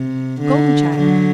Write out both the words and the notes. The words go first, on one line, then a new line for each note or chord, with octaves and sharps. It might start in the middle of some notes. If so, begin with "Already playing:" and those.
Golden child.
Already playing: C3
D3
D3 F#3